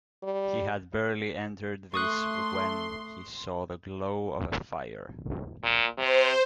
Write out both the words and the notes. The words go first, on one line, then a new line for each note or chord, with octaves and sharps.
He had barely entered this when he saw the glow of a fire.
G3
A3 C6 C#6 D#6 F#6
A#2
C3 C5